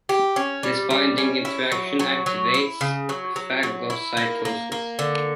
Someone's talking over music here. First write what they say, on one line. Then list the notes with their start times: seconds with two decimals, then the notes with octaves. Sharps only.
This binding interaction activates phagocytosis.
0.09 G4
0.36 C#4
0.63 G3
0.90 G3
1.18 C#4
1.45 E4
1.72 F#3
1.99 F#3
2.26 F#3
2.54 E4
2.81 C#3
3.09 F#3
3.36 F#3
3.63 F#3
3.90 E4
4.17 A#3
4.45 A#3
4.72 A#3
4.99 D3